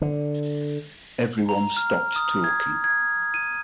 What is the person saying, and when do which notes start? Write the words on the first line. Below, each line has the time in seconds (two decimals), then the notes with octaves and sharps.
Everyone stopped talking.
0.02 D3
1.49 A#5
1.77 F6
2.16 D#6
2.44 G#6
2.84 G#6
3.34 D#7